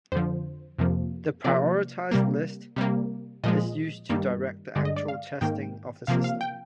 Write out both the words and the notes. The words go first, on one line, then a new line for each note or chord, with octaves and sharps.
The prioritized list is used to direct the actual testing of the system.
F2 D3 F3 C5
F2 C3 F3 A#3
C3 F3 A#3 D5
C3 G3 A#3
C3 G3 A#3
A#2 F3 G#3 D#5
G2 D#3 G3 A#3
G2 D3 G#3 D5
D#5
D5
F5
G#2 D#3 A#3 G5
C3 F3 A#3 F5
F5
G5